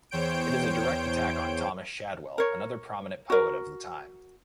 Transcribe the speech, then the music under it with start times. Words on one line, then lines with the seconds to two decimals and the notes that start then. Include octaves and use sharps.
It is a direct attack on Thomas Shadwell, another prominent poet of the time.
0.11 E2 C5 C#5 G5 G6 D7
2.38 A#4 C#5
3.30 F#4 A#4